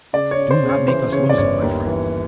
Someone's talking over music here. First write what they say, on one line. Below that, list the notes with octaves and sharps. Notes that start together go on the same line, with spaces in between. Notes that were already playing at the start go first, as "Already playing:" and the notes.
"Do not make us lose it, my friend."
C#3 D5
C#5
C#3
C5
C#3
C#5
E3 C5
C#3 C#5
D5
G1 C#5
D#2
E3